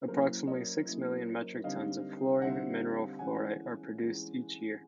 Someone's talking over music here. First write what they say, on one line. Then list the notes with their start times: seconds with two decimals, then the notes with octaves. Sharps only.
Approximately six million metric tons of the fluorine mineral fluorite are produced each year.
0.08 F#3 A#3 C#4 E4 A#4 C5
0.47 C#5 D#5
0.86 F#3 A#3 C#4 E4
1.64 D3 G3 C4 D#4 D#5 F5
2.42 D3 G3 C4 D#4 E5 F#5
3.19 E3 G#3 C#4 F#5 G#5
3.98 E3 G#3 C#4